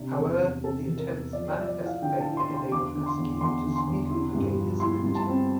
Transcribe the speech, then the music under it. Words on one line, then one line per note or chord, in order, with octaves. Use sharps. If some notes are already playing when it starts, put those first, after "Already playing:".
However, the attempt's manifest failure enabled Pasquier to speedily regain his liberty.
Already playing: C3 D4
E2
E2
C3 A4
E3
A#4
E2
F3 D5
D5
F3 E5
D5
E4
F5
D3 G5
A5
E4
C6
D3
C6
E2 D6
D3
C6
E2
E2 C6
D3
C6
E2
E4
G2
F3
E4 C6
G2
A5
C4